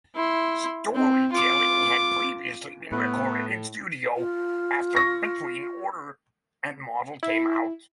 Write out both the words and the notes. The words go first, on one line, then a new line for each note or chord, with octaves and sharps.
"Storytelling" had previously been recorded in studio after Between Order And Model came out.
E4 C6
C4
F4 D6
A2 A3 B3 B4
F4
C#6 A#6
E4